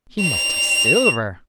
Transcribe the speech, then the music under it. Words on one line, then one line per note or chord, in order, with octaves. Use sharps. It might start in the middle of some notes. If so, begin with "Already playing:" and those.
He must have silver.
F7